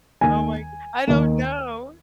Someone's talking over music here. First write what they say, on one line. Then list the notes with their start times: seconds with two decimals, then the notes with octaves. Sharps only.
Oh my g I don't know.
0.21 D#2 D#3 G#5
1.07 D#2 D#3